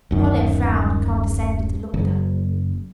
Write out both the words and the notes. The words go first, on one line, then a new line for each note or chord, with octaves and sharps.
Colin frowned and condescended to look at her.
D1 F#2 D#3
F#1